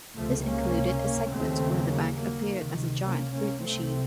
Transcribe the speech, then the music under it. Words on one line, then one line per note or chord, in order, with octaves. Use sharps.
This included a segment where the bank appeared as a giant fruit machine.
C#2 C3 F3 A3
A#3 C#4
D#2 C#3 A3 C4
F#3 A#3
F#3 A#3
C#2 C3 D#3
A#3 C#4
A#3 C#4
C2 C3 A3 C4